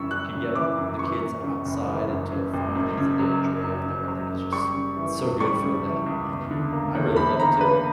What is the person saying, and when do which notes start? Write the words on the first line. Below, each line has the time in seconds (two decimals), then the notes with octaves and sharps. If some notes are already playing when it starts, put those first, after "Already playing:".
can get the kids outside and to find things that they enjoy out there, I think is just, it's so good for them, and and I really love it too.
Already playing: F#2 C#3 E3 G3 C#6 E6
0.11 G3 F#6
0.33 C#3
0.55 E3 D6
0.77 F#2
0.99 E3 C#6
1.21 F#2
1.44 C#3
1.65 F#1
1.87 E3
2.09 F#2
2.32 C#3
2.54 F#1
2.75 F#2
2.97 C#3
3.19 F#3
3.42 F#2
3.64 F#2
3.86 C#3
4.08 F#3
4.30 F#2
4.53 G3 C#6
4.74 C#3
4.97 E3
5.19 C#2
5.40 G3 C#6
5.63 C#3
5.84 E3
6.06 C#2
6.29 E2
6.51 D3
6.72 A#3
6.95 E2
7.16 E2 B5
7.39 D3 A#5
7.61 A#3 B4